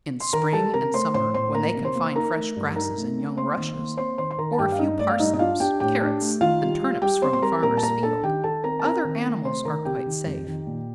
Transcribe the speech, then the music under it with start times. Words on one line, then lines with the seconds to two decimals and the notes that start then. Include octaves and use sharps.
In spring and summer, when they can find fresh grasses and young rushes, or a few parsnips, carrots, and turnips from the farmers' fields, other animals are quite safe.
0.20 C6
0.33 D#3 A#4 A#5
0.53 G3 A4 A5
0.74 C3 A#4 A#5
0.94 A3 C5 C6
1.14 A2 C5 C6
1.34 A2 C5 C6
1.55 A#3 A#4 A#5
1.75 C3
1.85 C5 C6
1.95 A#3
2.15 D#4 A#4 A#5
2.36 A3
2.56 G2
2.76 D#4 A#4 A#5
2.97 A3
3.17 C4
3.37 A#3 C5 C6
3.57 D#3
3.78 A#3
3.97 C4 C5 C6
4.18 D#3 C5 C6
4.31 C6
4.38 D#3 A#4 A#5
4.53 A5
4.59 G2 G4 G5
4.72 F5
4.78 G2 D#4 D#5
4.99 A3 D5
5.09 F5
5.19 G2 D#4 D#5
5.34 D#5
5.39 D4 F4 F5
5.60 D4 G4 G5
5.80 A2 G4 G5
6.00 D4
6.21 A3
6.41 D#3 F4 F5
6.61 G3
6.82 G3
7.01 G3 G4 G5
7.22 C4 C5 C6
7.33 C6
7.42 G3 A#4 A#5
7.62 A#2 A#4 A#5
7.77 A5
7.83 A#2 A#4 A#5
8.03 D4 A4 A5
8.23 D#3 G4 G5
8.44 D#3 A4 A5
8.63 C4 A#4 A#5
8.79 A5
8.84 C4 A#4 A#5
9.04 D#3
9.25 A3
9.45 C3 C5 C6
9.65 D#3 A#4 A#5
9.85 C3 G4 G5
10.06 D#3
10.26 F2
10.46 D#3
10.66 A#2